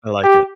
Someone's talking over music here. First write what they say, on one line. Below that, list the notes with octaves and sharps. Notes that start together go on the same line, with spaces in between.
I like it.
G4